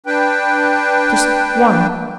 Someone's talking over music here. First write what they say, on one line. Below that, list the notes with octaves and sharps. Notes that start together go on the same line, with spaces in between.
Just one?
D4 B4 G5